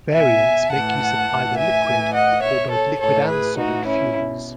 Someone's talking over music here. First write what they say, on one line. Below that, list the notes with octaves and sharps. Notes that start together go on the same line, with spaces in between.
Variants make use of either liquid or both liquid and solid fuels.
B2 E5 G#5
A2 E3 F#5 A5
A2 E3
E5 G#5
A2 E3
D#5 F#5
B2 C#5 E5
A4 C#5
A2 E3 A4 C#5
G#4 B4
A2 E3 D#4 F#4
C#4 E4
B2